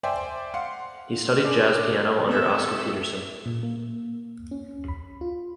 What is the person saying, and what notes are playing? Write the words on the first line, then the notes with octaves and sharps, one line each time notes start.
He studied jazz piano under Oscar Peterson.
C5 D5 E5 G5 G#5 C6
F5 F#5 C6 C#7
D4 G#4 C5 D5
B3 C4 A4 B4 E5
A#2
A#3
C#4
B5
F4